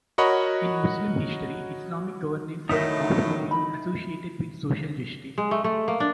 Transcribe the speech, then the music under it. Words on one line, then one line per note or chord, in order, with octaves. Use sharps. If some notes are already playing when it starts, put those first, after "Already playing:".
In Muslim history, Islamic governance has often been associated with social justice.
F#4 A#4 C#5 D#5 F#5 B5
A2 D#3 F#3 D#4 F#4 A#4 D#5 E5
B5
G#3
A3
A3
A#3
D4